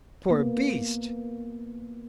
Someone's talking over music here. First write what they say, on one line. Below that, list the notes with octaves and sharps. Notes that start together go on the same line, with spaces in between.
"Poor beast!"
A#3 B3